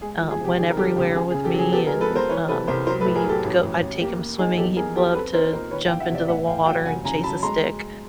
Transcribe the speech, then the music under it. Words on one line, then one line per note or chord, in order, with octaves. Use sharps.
um, went everywhere with me, and, um, we'd go I'd take him swimming. He'd love to jump into the water and chase a stick.
G#3 G#4
F3
G#4
C3 G4
D#3 G#4
A#4
G3 G4 A4
C#2 G4
C#3 G#4
G#4
C#3
G4 A4
F#3 G#4
B3 G4 A4
G#4 A#4
G#3
A4 B4
B3 A#4 C5
E3 B4 C#5
C3 A4 B4
C2 A#4 C5
F#3 A#4 C5
A4 B4
A2
G#4 A#4
F#3
G4 A4
A1
A1
A1
A#3 G4
A#3
D#4 G#4
E2 G4 A4
E2 G#4 A#4
F#3 G4 A4
C4 A4 B4
D#4 A#4 C5
A#2 A#4 C5
D#3 B4 C#5
F5 G5
D#3
E5 F#5
C3
D5 E5
A2 E5 F#5
A2 F5 G5
F#3 F5 G5
F1 F#5 G#5
C#3 G#5 A#5
F#3 A5 B5
G#3 A#5 C6